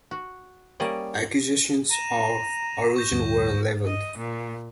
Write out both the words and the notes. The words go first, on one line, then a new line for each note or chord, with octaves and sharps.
Accusations of arson were leveled.
F#4
G3 A#3 C#4 D5 D#5
A#5 D#7 E7
C#6 G6 A#6
D2 G2
D#5
A#2